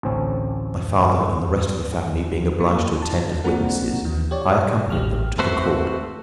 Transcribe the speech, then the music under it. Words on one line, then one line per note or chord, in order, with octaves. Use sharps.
My father and the rest of the family being obliged to attend as witnesses, I accompanied them to the court.
A1 D2 C4 C#4
A#3
A5
A#3 C4 D4 F#4 A#4 F#5
D#2 E3
G4 C#5 D5
A1 G4 F6
A3 C4 F#4 B4 C5